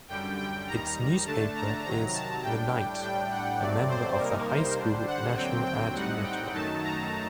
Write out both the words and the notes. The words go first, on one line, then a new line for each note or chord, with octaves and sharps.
Its newspaper is The Knight, a member of the High School National Ad Network.
F#2 D3 G3 G5
G5
D#2 D#3 G3 A#5
D3 A3 D4 A5
A#5
C3 D#3 F#3 A#5
A5
A2 G3 D4 G5
A2 G3 D4 G5
F#5
G2 F#3 A3 C4 D5
C5
C3 G3 A#3 D#4 A#4
C5
D3 G3 D4
F#5
D#2 D3 F#3 C4 G5
G5
A2 G3 C4 D#4 F#5
G5
F#2 D#3 F#3 A3 D#4 A5
A#5